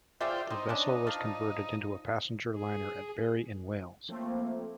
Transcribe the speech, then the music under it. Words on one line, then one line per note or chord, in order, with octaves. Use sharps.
The vessel was converted into a passenger liner at Barry in Wales.
F4 G#4 C5 D5 E5 G5
C4 D#4
C#4 D4
F3 D4
G#4
F3 A3 A#3 C4